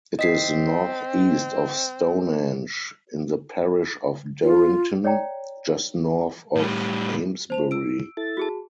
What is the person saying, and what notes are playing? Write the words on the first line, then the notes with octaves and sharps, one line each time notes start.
It is north-east of Stonehenge in the parish of Durrington, just north of Amesbury.
C4 D#5 B6 C7
F4
C#5 D5 G5 A#5
A2 G3
C5 A5 F7
E6 D7
E4 A4 A6
F#4 G#4 A5